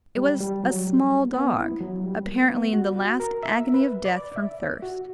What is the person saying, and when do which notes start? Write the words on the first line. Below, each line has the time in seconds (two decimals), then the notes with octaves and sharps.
It was a small dog, apparently in the last agony of death from thirst.
0.17 G3
0.40 G3
0.64 F#3
0.87 G3
1.33 B3
1.56 E4
1.81 F#3
2.04 G3
2.26 A#3
2.50 B3
2.73 F#4
2.96 F#4
3.20 A#4
3.43 E5
3.74 B4
4.05 D5
4.36 E5
4.83 F#4